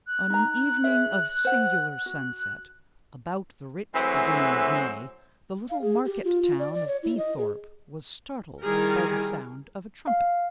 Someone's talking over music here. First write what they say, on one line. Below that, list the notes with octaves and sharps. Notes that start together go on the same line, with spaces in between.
On an evening of singular sunset, about the rich beginning of May, the little market-town of Beethorpe was startled by the sound of a trumpet.
F#6
D#4 A#5
G#4 C#5 E5
C5 F#5
F#4
E3 F#3 G#3 A3 C4
F5
G#4
G4
F4
F4
D5
D5
C#5
E4
D#5
G#4
D#3 G3 E4 G#4 A#4
F5